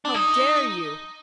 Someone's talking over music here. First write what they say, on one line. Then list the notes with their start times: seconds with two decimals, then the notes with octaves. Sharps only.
How dare you?
0.05 D4
0.14 D#4